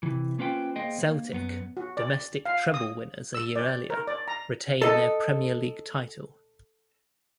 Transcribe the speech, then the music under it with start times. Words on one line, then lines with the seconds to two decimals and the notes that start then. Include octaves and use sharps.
Celtic, domestic treble winners a year earlier, retain their Premier League title.
0.03 C3 E3
0.38 A#3 C#4 F4 B4 C5 G5
0.76 A#3 G#4 C5 D#5 G5
0.99 A#3
1.33 F#2 B3
1.77 F#4
1.97 D5
2.46 F5
2.74 D#6
3.34 E6
3.56 D5
3.90 A#4
4.07 D5
4.28 A#5
4.82 A4 D#5